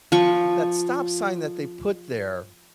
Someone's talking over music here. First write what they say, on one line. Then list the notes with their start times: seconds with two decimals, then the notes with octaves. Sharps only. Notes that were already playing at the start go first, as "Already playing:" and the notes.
that stop sign that they put there
0.12 F3 C#6